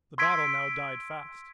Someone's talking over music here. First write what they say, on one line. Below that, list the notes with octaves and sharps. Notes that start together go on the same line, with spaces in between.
The battle now died fast.
C6 E6 G#6 B6 D7